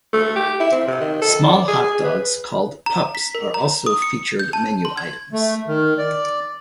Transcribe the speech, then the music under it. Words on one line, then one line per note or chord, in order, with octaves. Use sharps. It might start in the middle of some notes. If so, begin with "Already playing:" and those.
Small hot dogs called "pups" are also featured menu items.
A3
G4
E4
C4
C3
D#3
A4
D5
G#4
G#4
B4
A#5
B6
A#4
A#5
D#6
C#7
G6
A5
C6
G#6
A3
D#3
D5